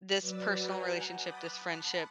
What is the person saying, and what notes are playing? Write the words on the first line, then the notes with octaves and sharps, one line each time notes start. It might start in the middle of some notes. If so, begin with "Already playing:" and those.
this personal relationship, this friendship,
F#3 B4 D5 E6 A6
F#5 G#5 A#5 G6
B5 D6 D#6 F#6 G6 A6
F#5 A5 B5